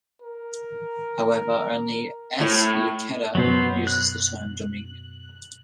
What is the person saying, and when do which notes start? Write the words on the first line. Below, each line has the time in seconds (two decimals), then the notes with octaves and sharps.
However, only S. Luketa uses the term dominion.
0.22 A#4
2.41 A2
3.35 F#2 B2 F#3 B3 C5
3.87 F#6